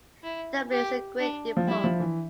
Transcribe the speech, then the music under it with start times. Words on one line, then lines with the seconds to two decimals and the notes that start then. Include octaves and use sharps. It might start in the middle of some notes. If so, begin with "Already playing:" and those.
Dublin is the great depot.
0.23 E4
0.72 G4
1.20 D4
1.57 F3
1.67 G3 E4
1.84 F3
2.00 E3